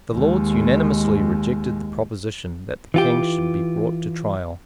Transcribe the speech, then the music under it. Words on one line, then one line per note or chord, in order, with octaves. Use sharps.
The Lords unanimously rejected the proposition that the King should be brought to trial.
D#2 G#3
E3 F4 G4